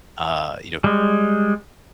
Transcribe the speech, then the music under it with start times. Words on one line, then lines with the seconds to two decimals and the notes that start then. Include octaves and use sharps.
uh, you know.
0.84 G3 G#3